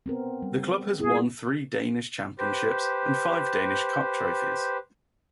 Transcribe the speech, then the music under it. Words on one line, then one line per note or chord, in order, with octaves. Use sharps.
The club has won three Danish championships and five Danish Cup trophies.
B3 C4 A#4
G3
B3 E4 G#4
G4 B4 C5